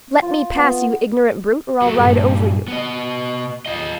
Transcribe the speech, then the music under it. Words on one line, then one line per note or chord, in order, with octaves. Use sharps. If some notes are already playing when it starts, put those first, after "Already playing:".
"Let me pass, you ignorant brute, or I'll ride over you."
F4
B3
F#3 A3
G2 A#2
B3 D#5
F4 D#5